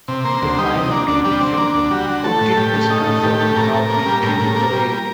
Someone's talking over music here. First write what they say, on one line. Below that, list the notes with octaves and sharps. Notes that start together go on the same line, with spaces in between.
In the final debriefing, Kutkin is confirmed to have been killed in the raid.
C3
A#3 C5
D2
G3 D#4
C3
A#3 D4
D2 D4
G3 D4
D3 C4
A#3 D4
D2
G3 F#4
D3
A3 A4
A2
A2 G4
A3
A3 D#4
A2
A2 G4
A3
A2 A#4
A2
A#3
G3
A2 A#4
A2
A#3
G3